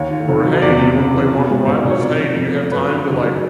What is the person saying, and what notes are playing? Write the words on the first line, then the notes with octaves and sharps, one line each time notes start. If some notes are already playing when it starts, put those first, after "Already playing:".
Or, "Hey, do you wanna play Marvel Rivals? Hey, do you have time to, like,
Already playing: D#2 C#5
D#3
F1
F#3
E2 D5
C3
F#1
E3
B2
G#3
B1 C5
D5
B1
C#5
C3 D5
F3
F2
A3
F#2 B4
D#3
F#1
F#3